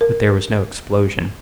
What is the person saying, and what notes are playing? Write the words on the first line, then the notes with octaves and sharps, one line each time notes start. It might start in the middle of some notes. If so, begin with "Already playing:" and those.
But there was no explosion.
A#4